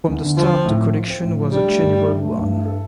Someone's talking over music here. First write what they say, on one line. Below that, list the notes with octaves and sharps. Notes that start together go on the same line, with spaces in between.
From the start the collection was a general one.
E2
D3
F3 F4
C4
A2
F3
F4
C4
A2
F3
G3 D4
A3
G2
E3
D4
A3
G2
E3
A4